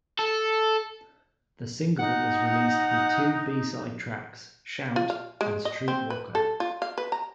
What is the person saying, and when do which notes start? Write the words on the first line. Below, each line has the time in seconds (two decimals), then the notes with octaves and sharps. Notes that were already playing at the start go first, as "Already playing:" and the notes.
The single was released with two B-side tracks, "Shout" and "Streetwalker".
0.19 A4
1.99 D#4 F#5
4.96 F4
5.10 F5
5.41 G#3
5.65 D#5
5.88 C4
6.10 B4
6.35 A4
6.60 F4
6.82 F5
6.98 B4
7.12 A#5